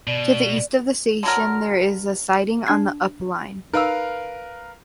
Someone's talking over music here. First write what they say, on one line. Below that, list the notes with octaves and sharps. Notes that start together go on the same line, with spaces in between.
To the east of the station there is a siding on the Up line.
B2 D5
D3 F#3 A#4
D4 G#6 C7
D#4 A#4 B4 F5 E6